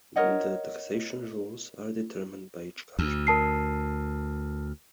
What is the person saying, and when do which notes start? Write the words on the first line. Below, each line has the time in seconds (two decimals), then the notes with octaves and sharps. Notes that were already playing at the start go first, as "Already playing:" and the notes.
The taxation rules are determined by each country.
0.16 A#4 C#5 D#5 F#5
2.99 D2
3.27 A#4 A5 C7